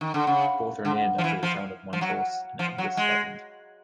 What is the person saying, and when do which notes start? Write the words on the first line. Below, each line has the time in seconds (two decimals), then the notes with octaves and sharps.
Both are named after the town of Montrose in Angus, Scotland.
0.01 D#3
0.14 D3
0.27 C#3
0.85 D3
1.18 F3
1.24 E3
1.43 F3
1.93 F3
2.01 F#3
2.59 F3
2.78 F#3
2.97 G#3